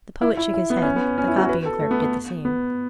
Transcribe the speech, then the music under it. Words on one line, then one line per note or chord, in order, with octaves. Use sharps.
The poet shook his head, the copying-clerk did the same.
E4
E4
E4
B3
C#4
B3
C#4
E4
F#4
B4
A4
A3
B3
B3
B3